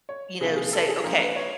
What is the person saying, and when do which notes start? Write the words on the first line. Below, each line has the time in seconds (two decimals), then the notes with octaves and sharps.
you know, say, "Okay,
0.09 C#5
0.40 C2 A#2 F3 G#4
0.57 G#4
0.73 A4
0.89 G#4
1.04 A#1 A#2 F3 A#4
1.20 B4
1.36 C#5